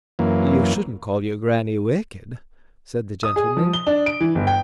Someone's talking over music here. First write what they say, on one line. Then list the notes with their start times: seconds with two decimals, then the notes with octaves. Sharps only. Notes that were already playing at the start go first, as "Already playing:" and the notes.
"You shouldn't call your grannie wicked," said the gentleman.
0.19 F#2 E3 A#3
3.23 D#6
3.36 G#4
3.57 F3
3.73 G7
3.87 D4
4.06 D7
4.20 E3
4.35 G1
4.47 G5